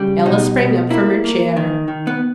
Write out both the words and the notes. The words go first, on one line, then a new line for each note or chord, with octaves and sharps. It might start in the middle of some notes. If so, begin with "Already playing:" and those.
Ella sprang up from her chair.
Already playing: C#3 G3
B2 D#4
B2
A#3 E4
A#3
D#3
D#3
B3